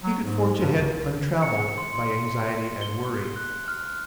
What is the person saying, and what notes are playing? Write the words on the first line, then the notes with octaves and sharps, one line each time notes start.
He could forge ahead untrammelled by anxiety and worry.
F#3
G#2
G2
C2
C#7
C6
G7
F#6
F6